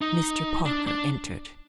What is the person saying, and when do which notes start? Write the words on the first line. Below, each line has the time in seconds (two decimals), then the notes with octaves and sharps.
Mr. Parker entered.
0.01 D#4
0.65 D4
0.87 D4